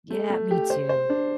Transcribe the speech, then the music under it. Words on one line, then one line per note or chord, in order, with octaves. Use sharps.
Yeah, me too.
A3
A3
G4
C5
C5
D4